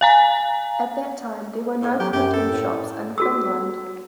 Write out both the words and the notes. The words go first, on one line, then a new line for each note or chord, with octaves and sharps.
At that time there were no printing shops in Finland.
F5 G#5 A#5
A2
F#3 G4
F#2 G4
A4
A2
F#4 A4 E6